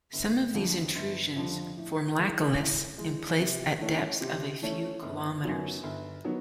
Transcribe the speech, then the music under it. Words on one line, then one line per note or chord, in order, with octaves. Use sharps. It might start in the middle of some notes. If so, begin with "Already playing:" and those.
Some of these intrusions form laccoliths emplaced at depths of a few kilometers.
G1
F2 D3 F3
G1
F2 D3 F3
A2
E3 G#3
A2
E3 G#3
C3
E3 A3 C#4
C3
E3 A3 C#4
G1
F#2 D#3 F#3 B3
G1
D#3 F#3 B3